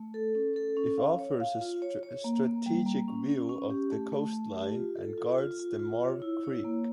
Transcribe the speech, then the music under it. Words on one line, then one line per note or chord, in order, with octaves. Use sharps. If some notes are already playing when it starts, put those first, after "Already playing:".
It offers a strategic view of the coastline and guards the Marve Creek.
Already playing: A3
A4
C#4
A4
C#4
F5
C#5
F5
F4
C#5
C#5
A#3
A#3
G3
A#3
C#4
C#4
C#4
G4
A3
A3
A3
G4
F4
A4
F4
F4
F4
F4
C#5
E4
C#5
A#3